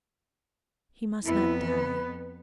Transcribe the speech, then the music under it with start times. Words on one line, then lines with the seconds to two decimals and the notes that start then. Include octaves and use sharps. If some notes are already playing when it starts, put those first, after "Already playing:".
He must not die.
1.24 F2 B3 E4
1.65 B4